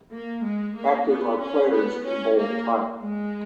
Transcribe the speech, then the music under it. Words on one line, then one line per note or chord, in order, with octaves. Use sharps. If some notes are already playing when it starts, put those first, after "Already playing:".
Active are players in bold type.
A#3
G#3
A#3
B3
C#4
B3
C#4
A#3
G#3